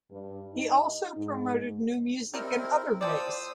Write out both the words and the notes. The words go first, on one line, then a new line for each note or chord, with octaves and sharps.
He also promoted new music in other ways.
G2
D#4
G#2
G3 C4 D#4 E4 A#4
F3 C4 C5 D5 D#6 E6